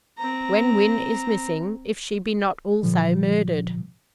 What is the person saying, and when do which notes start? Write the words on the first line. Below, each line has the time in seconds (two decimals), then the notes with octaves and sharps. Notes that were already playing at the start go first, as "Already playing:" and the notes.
Gwen Wynn is missing, if she be not also murdered.
0.18 C4 A#5
2.83 A#2 D3 F3 G3